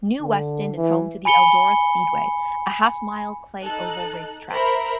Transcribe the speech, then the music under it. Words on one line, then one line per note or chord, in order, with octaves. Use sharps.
New Weston is home to the Eldora Speedway, a half-mile clay oval race track.
D3
E3
G#5 B5 C#7 G7
D#4 A4 F#6
A#4 C5 E5 B5